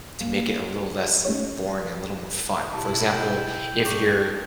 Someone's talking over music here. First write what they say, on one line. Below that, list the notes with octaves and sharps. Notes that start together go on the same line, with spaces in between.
to make it a little less boring and a little more fun. For example, if you're
A#3
A3 C#4 D#4 F4 G4 C#5
B2 E4 F4 G4 A5
G5
G2 G#4 C#6